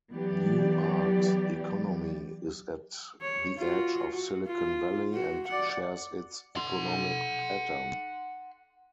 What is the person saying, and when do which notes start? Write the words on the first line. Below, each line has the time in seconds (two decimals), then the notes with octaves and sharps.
Newark's economy is at the edge of Silicon Valley and shares its economic pattern.
0.12 E3 F#3 B3 G4 D5
3.21 C#5
3.58 F4 F#4
4.14 F#4
4.47 F4
5.14 F#4
5.48 D5 F#5
6.56 F#5 C6